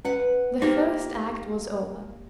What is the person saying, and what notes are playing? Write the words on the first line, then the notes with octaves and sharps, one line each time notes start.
The first act was over.
C#4 B4 F#5
A#3 D#4 G4 C5